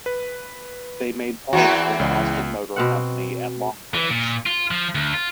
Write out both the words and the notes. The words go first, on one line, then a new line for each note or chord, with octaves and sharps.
They made parts for the Austin Motor Company at Longbridge.
B4
E2 E3 C4 F#4
C#2
B2 C4 F#5
E3
A#2
F4
F3
D2
F4